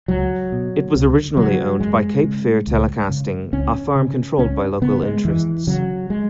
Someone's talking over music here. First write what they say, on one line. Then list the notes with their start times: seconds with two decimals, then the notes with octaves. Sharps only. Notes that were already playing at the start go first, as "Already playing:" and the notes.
It was originally owned by Cape Fear Telecasting, a firm controlled by local interests.
0.08 C#2 F#3
0.52 B2
0.95 C#2
1.37 C#3 F#3
1.80 F#2 G#3
2.24 C#3
2.67 C#2
3.09 C#3
3.53 C#2 C#4
3.96 C#3
4.38 C#2 C#4
4.82 C#3 B3
5.03 G#3
5.24 E2 E3
5.67 C#3 F#3
6.10 G#3